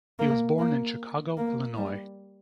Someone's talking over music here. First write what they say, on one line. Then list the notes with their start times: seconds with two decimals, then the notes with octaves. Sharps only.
He was born in Chicago, Illinois.
0.19 A#3
0.59 A#3
1.37 A#3
1.77 G3